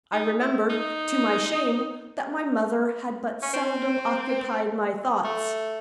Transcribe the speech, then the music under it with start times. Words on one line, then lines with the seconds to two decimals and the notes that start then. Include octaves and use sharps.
I remembered, to my shame, that my mother had but seldom occupied my thoughts.
0.12 D#4
0.41 E4
0.69 D#4
3.42 C#4
3.53 C4
5.24 A3